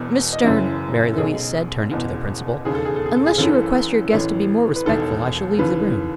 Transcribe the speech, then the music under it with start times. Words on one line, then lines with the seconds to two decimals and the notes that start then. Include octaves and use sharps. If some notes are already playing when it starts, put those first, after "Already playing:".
"Miss Stearne," Mary Louise said, turning to the principal, "unless you request your guest to be more respectful I shall leave the room."
Already playing: E1 E2 B2
0.33 D#5
0.44 F#1 F#2 C#3 E3 E5
1.13 A4
1.17 B1 B2 G#4
1.92 F#1 E2 B2
2.65 E1 D#2 C#3 G#4
2.75 A4
2.85 G#4
2.96 A4
3.06 G#4
3.16 A4
3.26 G#4
3.38 F#1 F#2 C#3 E3 A4
4.13 A1 A2 E3
4.76 B4
4.85 E1 D#2 D#3 A4
5.59 D#2 C#3 E3 B4